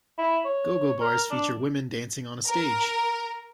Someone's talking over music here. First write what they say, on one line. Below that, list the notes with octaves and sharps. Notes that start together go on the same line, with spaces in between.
Go-go bars feature women dancing on a stage.
E4
C#5
A#4
D4
A#4